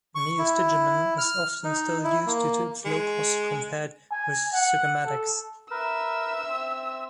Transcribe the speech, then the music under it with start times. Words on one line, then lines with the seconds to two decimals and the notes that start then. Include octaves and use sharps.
Neostigmine is often still used due to its low cost compared with sugammadex.
0.15 C#6
0.38 E4
1.18 F6
1.64 D#4
2.04 E4
2.26 A#3
2.85 G#3
4.12 G#5
4.53 F#5
5.06 A4
5.71 A#4 B4 E5 E6
6.48 C4